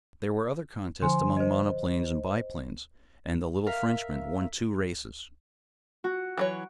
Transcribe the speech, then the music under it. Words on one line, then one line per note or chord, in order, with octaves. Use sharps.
There were other contests among monoplanes and biplanes, and the little Frenchman won two races.
D3 F3 C5 G#5 C6
C5 D#5
A#4 E5 F5
F#4
E3 F#3 C#5